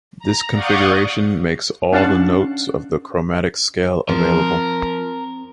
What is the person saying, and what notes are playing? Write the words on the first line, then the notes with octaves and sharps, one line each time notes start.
This configuration makes all the notes of the chromatic scale available.
A#5
D5 F5 F#5 C#6 D#6 G6
C#4 D4 F5 F#5 A5
F3 C4 A#4